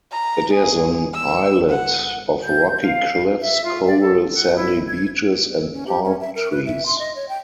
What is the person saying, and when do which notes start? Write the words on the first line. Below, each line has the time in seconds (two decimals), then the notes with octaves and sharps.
It is an islet of rocky cliffs, coral sandy beaches, and palm trees.
0.12 A#5
0.54 G#4
1.14 E6
1.69 F#5
2.43 G6
2.82 F5
3.41 E5
3.64 F4
3.87 D5
4.00 A4
4.33 F#5
4.55 E4
4.88 G#6
5.57 A4
5.73 C#4
5.87 G4
6.04 C#4
6.21 E5
6.35 A#4
6.51 B4
6.66 E5
6.86 C6
6.99 D#5
7.15 C#5
7.29 G5